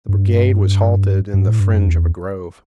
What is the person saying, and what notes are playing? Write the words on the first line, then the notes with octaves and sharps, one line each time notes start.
The brigade was halted in the fringe of a grove.
G2
G2
A2
G2
F#2
E2